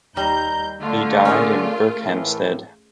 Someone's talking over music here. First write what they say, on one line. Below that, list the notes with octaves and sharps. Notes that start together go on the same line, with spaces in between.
He died in Berkhamsted.
D#2 G3 D#5 A#5 G6
D3 A3 F4
C#4 G#4 A#4
A2 E3